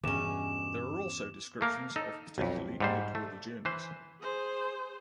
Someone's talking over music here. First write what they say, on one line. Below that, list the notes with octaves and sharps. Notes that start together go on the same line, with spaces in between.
There are also descriptions of particularly noteworthy journeys.
E2 G2 B2 C#4 D6 E7
A3 A#3 A#4
D#4 A4
B1 F2
G#2 G3 C5
A3
E3 B4 C5
G#4 C5